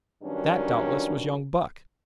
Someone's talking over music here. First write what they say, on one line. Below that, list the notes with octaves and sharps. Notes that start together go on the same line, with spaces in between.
That, doubtless, was young Buck.
G2 D#3 F#3 C#4 D4